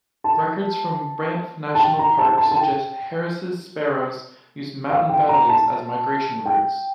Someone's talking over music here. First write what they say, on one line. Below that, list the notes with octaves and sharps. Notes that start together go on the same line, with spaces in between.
Records from Banff National Park suggest Harris's sparrows use mountain valleys as migration routes.
A5
A5
G5
A#5
A5
A5
A5
G5
F5
G5
A#5
A5
G5